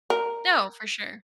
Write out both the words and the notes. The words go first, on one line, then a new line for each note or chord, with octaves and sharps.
No, for sure.
A#4